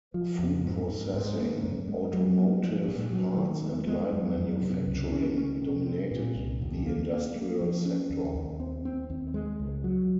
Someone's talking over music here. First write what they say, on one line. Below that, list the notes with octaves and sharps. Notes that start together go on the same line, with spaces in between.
Food processing, automotive parts and light manufacturing dominated the industrial sector.
F3
F2
G#2
G#2
G#2
A#3
F#2
G#3
F#3
A#3
F3
A#2
F#3
D#3
G#3
G#3
F#2
F#2
C3
C#2
C#4
C#4
C3
C4
A#2
C2
D#2
A#3
A#3
A#3
F3
C#4
D#2
D#2
C4
C4
D#2
G#3
C#2
F#3